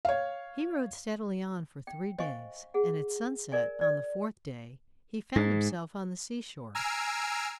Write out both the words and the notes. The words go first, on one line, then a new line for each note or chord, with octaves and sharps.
He rode steadily on for three days, and at sunset on the fourth day he found himself on the seashore.
C#5 F5
G5
C5 D#5 F5 G#5 C#6
G#4 F#5
A#4 D5 G#5
D5
G#2
G#5 A#5 E6 F6 C7 D7